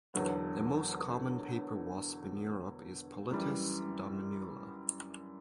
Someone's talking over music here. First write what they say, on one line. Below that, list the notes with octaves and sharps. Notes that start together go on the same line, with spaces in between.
The most common paper wasp in Europe is "Polistes dominula".
E1 E2 D3 F#3 B3
F#2 E3 G3